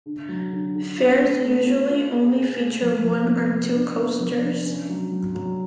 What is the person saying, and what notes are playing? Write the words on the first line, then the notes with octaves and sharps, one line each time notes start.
Fairs usually only feature one or two coasters.
D3
F#3
D3
D3
F4
A3
A3
F4
F4
G#4
G#4
A3
F3
F3
B3
B3
D4
B3
F3
D4
C#4
F#3
F#3
F#3